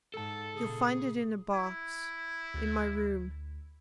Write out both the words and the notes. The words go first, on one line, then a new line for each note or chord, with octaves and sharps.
You'll find it in a box--in my room.
G#2 A4 A5
A#2 C#3 G#4
E4
D2